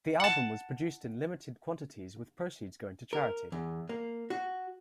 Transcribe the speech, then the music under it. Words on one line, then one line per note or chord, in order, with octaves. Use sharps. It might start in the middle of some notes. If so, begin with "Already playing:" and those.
The album was produced in limited quantities with proceeds going to charity.
F#5 A5
A#4
E2
A#3
F#4